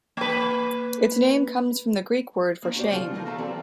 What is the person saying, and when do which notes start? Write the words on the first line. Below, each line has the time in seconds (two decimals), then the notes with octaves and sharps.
Its name comes from the Greek word for "shame".
0.17 A#3 B4
2.63 A#3 C4 D4
2.76 F#4 G4 A4 C5 D5
2.92 C#3 F3 F4 G4 A4 G#5
3.13 E3 F3 A3 D#4 F4 A#4
3.26 F#4 G#4 A4 E5 F5 A#5
3.38 E3 F#3 C4 E4 A4 D5